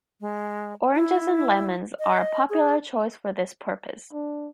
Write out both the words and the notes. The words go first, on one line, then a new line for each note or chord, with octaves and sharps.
Oranges and lemons are a popular choice for this purpose.
G#3
E4
D#5
G#4
D4